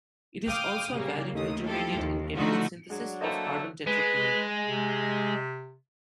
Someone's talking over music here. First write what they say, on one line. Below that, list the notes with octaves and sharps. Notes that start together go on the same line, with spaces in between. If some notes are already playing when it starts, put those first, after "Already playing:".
It is also a valued intermediate in chemical synthesis of carbon tetrachloride.
F5 G5 D6 D#6 F6
C#3 G3 A#3
A1 D#2 D#6
F3 E4 G4 A4
D#2
D3 F3 A3 D#4 F4 F#4
F#3 G#3 D4
D3 A3 A#3 A4 C5 D#5
G#3 B4
C3